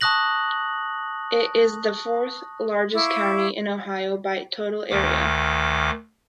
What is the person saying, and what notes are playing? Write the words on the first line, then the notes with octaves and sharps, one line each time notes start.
It is the fourth-largest county in Ohio by total area.
A5 C#6 D#6 F#6 A#6 F#7
E4 F5 C#6 D6
D2 D#3 D6